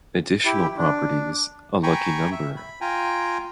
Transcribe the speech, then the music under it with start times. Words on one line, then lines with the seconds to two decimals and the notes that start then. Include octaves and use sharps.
Additional properties: a lucky number.
0.45 E4 G4
0.78 D4
1.83 G5 G#5 A#5 B5 C#6
2.32 E5
2.57 B5
2.81 F4 G5 G#5 A#5